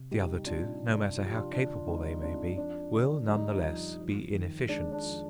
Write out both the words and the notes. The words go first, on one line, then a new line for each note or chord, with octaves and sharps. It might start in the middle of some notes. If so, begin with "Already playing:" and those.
The other two, no matter how capable they may be, will none the less be inefficients.
Already playing: C3
G3 D#4 G4
C4 D4 F4
D#4
C3
D4
F2 F4
G4
D4 F4
D3 D4
G#3 D#4
C4 D4 F4
F2 D4
D3
G3 D#4
F2
F2
D#3
G#3 D4
D4
F2